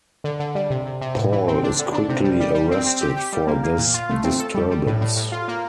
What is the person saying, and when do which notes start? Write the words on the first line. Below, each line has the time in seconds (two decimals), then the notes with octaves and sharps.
Paul is quickly arrested for this disturbance.
0.24 D3
0.40 D3
0.55 G3
0.70 C3
0.86 C3
1.01 C3
1.16 A2
1.32 E3
1.48 C4
1.63 D4
1.79 D3
1.94 D4
2.09 C3
2.24 G3
2.40 G3
2.55 G3
2.71 C4
2.86 C4
3.01 G4
3.17 G4
3.33 G3
3.47 A#3
3.63 A#3
3.78 A#2
3.94 F4
4.10 A3
4.24 C4
4.39 A4
4.54 G3
4.71 G3
4.86 A2
5.01 A2
5.16 A2
5.32 F4
5.48 A#3